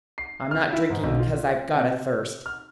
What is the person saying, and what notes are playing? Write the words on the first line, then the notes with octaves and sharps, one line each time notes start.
"I'm not drinking because I've got a thirst."
C7
F6
E4
G#2
B1
F4
C3
F6